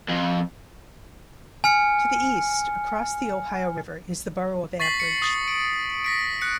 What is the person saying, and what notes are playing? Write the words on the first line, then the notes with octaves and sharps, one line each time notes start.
To the east, across the Ohio River, is the borough of Ambridge.
F2
G#5 F6 C#7
C#6 A6 B6 C7 F#7
C#7
D#6 A6
D7
A#6 B6 D7
F#6 C#7